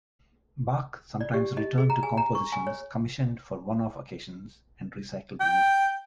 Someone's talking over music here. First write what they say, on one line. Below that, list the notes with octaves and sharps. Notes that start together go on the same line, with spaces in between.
Bach sometimes returned to compositions commissioned for one-off occasions and recycled the music.
D5
G4
D#5
G#4
A#5
G#5
A#5
C#6
G#5
C#5
G5